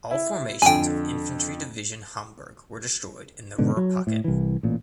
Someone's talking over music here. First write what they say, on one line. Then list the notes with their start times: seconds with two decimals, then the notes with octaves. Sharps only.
All formations of Infantry Division Hamburg were destroyed in the Ruhr Pocket.
0.11 E4
0.62 F2 D3 G5 G#5
3.58 G#2 B2 D3
3.77 F#3
4.07 A2
4.24 C2 E3
4.63 A1 A#2